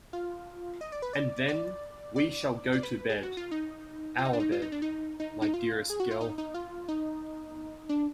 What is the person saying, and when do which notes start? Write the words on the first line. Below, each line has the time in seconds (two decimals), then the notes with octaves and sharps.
And then we shall go to bed, our bed, my dearest girl.
0.13 F4
0.81 D#5
0.92 D5
1.02 B4
1.13 D5
1.48 D5
2.16 D5
2.73 D5
2.83 B4
3.10 G#4
3.23 F#4
3.37 F4
3.51 D#4
4.18 F4
4.25 D#4
4.33 D4
4.40 D#4
4.52 F4
4.62 D#4
4.72 D4
4.82 D#4
5.20 D#4
5.42 D#4
5.54 F4
5.90 G#4
6.00 F#4
6.11 F4
6.21 D#4
6.38 D#4
6.54 F4
6.88 D#4
7.89 D4